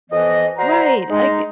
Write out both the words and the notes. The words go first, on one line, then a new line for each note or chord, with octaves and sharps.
Right, I g
F2 E3 B3 D#5
F#4 C5 D5 A#5
G#3 D#4